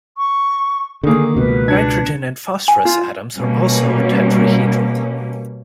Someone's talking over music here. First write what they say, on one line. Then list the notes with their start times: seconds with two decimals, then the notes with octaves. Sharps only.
Nitrogen and phosphorus atoms are also tetrahedral.
0.18 C#6
1.04 D3 D#3 A#3 G#4
1.36 C#2 B2 B4
1.68 D4 G#6 C#7
2.68 G#5
2.85 F4
3.37 B2 G3 A#3 C#4